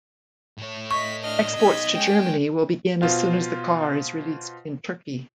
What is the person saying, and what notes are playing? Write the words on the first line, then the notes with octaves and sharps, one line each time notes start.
Exports to Germany will begin as soon as the car is released in Turkey.
A2 C#5
D#5 C#6 B6
D4 D#5 F6
B2 D#4 G#6 B6
G#3 C#4 G5
B2 F4 C5 F5